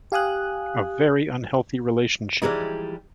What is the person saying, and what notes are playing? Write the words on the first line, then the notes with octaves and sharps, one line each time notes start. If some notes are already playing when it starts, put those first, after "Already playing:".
A very unhealthy relationship.
G4 F5 G#5 D#6 F#6
E3 F3 G3 G#3 D#4